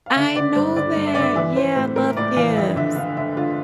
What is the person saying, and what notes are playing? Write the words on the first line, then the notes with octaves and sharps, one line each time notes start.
I know that. Yeah, I love Gibbs.
F5
D3 E5
D3 D5
G2 C5
D3 D5
G2
E5
D3 D5
E5
E3 E5
E3 C5
A2 C5
A2 A#4
A2 D5
E3 F5
F2 E5
D3 E5
D3 F5
D3 E5
D3 F4